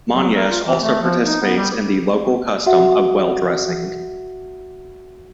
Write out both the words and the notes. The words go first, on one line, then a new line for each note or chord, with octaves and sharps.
Monyash also participates in the local custom of well dressing.
F#3
A#4
F4
E3
A3
F3
D#4
B3
G3
F#4 E5 F#5